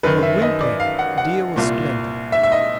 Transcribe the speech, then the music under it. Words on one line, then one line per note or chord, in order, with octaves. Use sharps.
For Gwynplaine, Dea was splendour.
F#2 D#3 B4
E5
D#5
D5
F5
F#5
F#5
C2 A#2
E5
E5
D#5